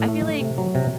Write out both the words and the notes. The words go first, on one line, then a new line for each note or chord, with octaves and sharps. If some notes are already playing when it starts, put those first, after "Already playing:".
I feel like
Already playing: A2
A3
A3
C3
F#3
C3